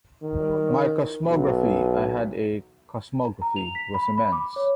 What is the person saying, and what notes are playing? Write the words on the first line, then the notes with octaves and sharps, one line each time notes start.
My cosmography, I had a cosmography, was immense.
D#3
B1
A#5
F7
B6
B5
B5
D6
C#5